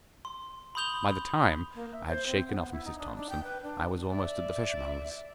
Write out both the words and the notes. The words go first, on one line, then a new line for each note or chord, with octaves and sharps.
By the time I had shaken off Mrs. Thompson I was almost at the fishmonger's.
C6
B5 C6 D#6 G6 F7 G7
A#3
E5
C5
C4
B3
E4
D#4
D4
D4
G5
B4
D4
D5 E5